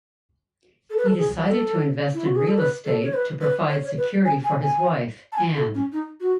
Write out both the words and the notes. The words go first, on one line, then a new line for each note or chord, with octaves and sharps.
He decided to invest in real estate to provide security for his wife, Ann.
A4
B4
A4
G#4
A4
E4
F#4
G#4
A4
B4
A4
C#5
B4
B4
C#5
C#5
B4
G#5
G#5
G#5
A5
G#5
A4
C#4
D#4
F#4